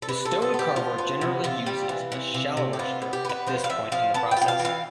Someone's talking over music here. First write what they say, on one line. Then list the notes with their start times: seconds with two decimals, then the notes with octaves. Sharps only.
The stone carver generally uses a shallower stroke at this point in the process.
0.02 A4
0.09 C3 B4
0.25 A4
0.31 F4
0.42 A4
0.54 B3
0.59 G4
0.76 F3 F4
0.98 B3
1.21 C3
1.44 C3 F4
1.66 G3
1.89 E3
2.12 C3
2.34 C3
2.57 C3
2.73 G4
2.79 B3 F4
3.02 B3
3.13 G4
3.25 B3 B4
3.47 F3 C5
3.64 F5
3.69 F3 E5
3.92 F3 F5
4.14 B3 A5
4.31 G5
4.37 F4
4.42 G5
4.48 F5
4.59 E3
4.65 F5